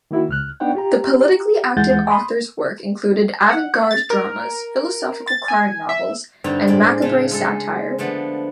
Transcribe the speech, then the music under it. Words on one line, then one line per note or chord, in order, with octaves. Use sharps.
The politically active author's work included avant-garde dramas, philosophical crime novels, and macabre satire.
D#3 A#3 E4 F#4
C#2 F6 F#6
B3 D4 D#4 C#5 F#5 G5
F4 G4 A#5
D#2 E3 G#3 F#5 G6 A6
B5 C6 D#6
F#5
A6
A#4
A6
G#5
E5
G2 D3 C4 D#4 A#5
A2 G#3 D5
C#3 A3 F4 A5
G#3 A4
D3 F3 A3 B3